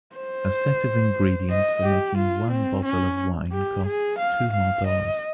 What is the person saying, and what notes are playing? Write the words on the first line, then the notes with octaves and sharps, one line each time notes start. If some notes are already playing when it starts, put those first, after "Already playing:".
A set of ingredients for making one bottle of wine cost two more dollars.
C5
D#5
G4
F4
C4
C#4
G4
G#4
F5
F5
D#5